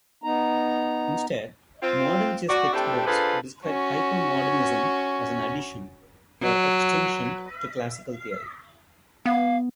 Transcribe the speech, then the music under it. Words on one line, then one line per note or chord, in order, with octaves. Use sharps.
Instead, modern chess textbooks describe hypermodernism as an addition, or extension, to classical theory.
B3 D#4 A#5
C4 F4
F#4 D5
A3 C4 D4 E4 G4
D4 F4 G#4 A4 B4 C5
C#4 F#4
F#3
B3 F5